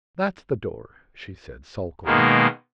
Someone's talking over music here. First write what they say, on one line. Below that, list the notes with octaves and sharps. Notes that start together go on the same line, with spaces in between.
"That's the door," she said sulkily.
B2 D#3 G#3 A#3